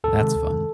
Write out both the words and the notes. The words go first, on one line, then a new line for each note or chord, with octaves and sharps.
That's fun.
D2 A4
C3 D#3 G#3
D2
C3 D#3 G#3